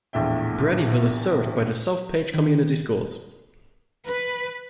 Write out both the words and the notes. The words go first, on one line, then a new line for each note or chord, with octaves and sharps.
Braddyville is served by the South Page Community Schools.
A#1 E2 A2 E5 G5
D#3
B4